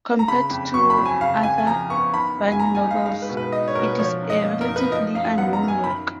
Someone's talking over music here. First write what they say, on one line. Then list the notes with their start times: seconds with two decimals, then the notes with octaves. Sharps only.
Compared to other Verne novels, it is a relatively unknown work.
0.19 A#5
0.28 C#3 B5
0.51 F2
0.74 F#3 C#6
0.90 B5
0.98 F2
1.05 G#5
1.21 C#3 F5
1.43 F2 G#5
1.58 G#5
1.67 F3 A#5
1.90 B3 C#6
2.14 D#3 B5
2.37 F#2
2.52 G#5
2.60 A#3 A#5
2.75 G#5
2.83 D#4
2.91 F5
3.06 G#3 F5
3.22 B4
3.29 B2
3.37 B4
3.52 D#4 D#5
3.68 C#5
3.75 B2 A#4
3.83 B4
3.99 F3 C#5
4.22 F#2
4.30 D#5
4.45 A#3
4.61 A#4
4.68 D#4
4.76 B4
4.91 F3 D#5
5.14 F#2 F5
5.38 B3 F#5
5.53 A#5
5.61 F#2
5.68 G#5
5.84 D#3 B5